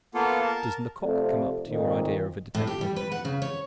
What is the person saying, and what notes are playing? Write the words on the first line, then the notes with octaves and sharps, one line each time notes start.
"Does Lecoq come up to your idea of a detective?"
A#3 B3 F4 A4
A#4 A5
F2 C3 F3 A3 D5
F2 A#2 D#3
A2
G4
G3
B4
F#5
C#3
C#5